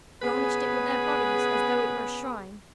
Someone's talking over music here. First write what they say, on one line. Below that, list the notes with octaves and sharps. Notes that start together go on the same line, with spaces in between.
Garnished it with their bodies as though it were a shrine.
C#3 B3 G#4 B4 G#5 B5